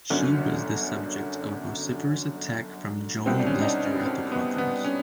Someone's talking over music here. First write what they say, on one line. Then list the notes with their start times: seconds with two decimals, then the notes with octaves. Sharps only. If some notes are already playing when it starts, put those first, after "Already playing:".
She was the subject of a vociferous attack from Joan Lestor at the conference.
0.10 G1 F#2 D3 F#3 C#4
3.26 C2 B2 G3 C4
3.40 D4
3.47 C#4
3.61 D#4
3.65 D4
3.85 C#4
4.05 C4
4.32 B3
4.58 B3
4.84 C#4